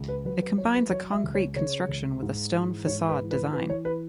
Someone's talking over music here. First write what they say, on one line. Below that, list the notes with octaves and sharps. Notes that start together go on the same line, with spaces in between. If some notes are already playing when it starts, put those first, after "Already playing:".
It combines a concrete construction with a stone facade design.
Already playing: C#2
B4
F#3 B4
B4
F#3 C#5
B4
F#3 C#5
E5
C#2
C#5
C#3 C#5
C#2
G#2
E3
G#2 C#5
B4
E3
B4
E3 B4
C#5
E3 B4